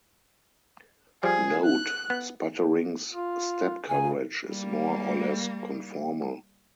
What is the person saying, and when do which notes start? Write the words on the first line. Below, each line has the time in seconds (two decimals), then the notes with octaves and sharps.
Note, sputtering's step coverage is more or less conformal.
1.23 F3 G3 G#4
1.65 F#6
2.10 B3
3.12 F4
3.89 C#3 G#5
4.48 G3 A#3